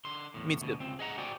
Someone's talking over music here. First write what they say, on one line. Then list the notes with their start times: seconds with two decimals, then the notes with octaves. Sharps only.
Me too.
0.05 D3 C6
0.34 E2 A2
0.61 D2 B2
0.80 C#2 C4
0.99 G#4 D#5 F#5 A#5
1.18 F#4 C5 D5 G5 G#5